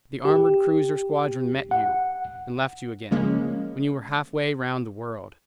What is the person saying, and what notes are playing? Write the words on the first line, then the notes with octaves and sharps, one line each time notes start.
The armored cruiser squadron met you, and left you again, when you were half way round the world.
G4
F#5
C#3 F3 G#3 A#3 C#4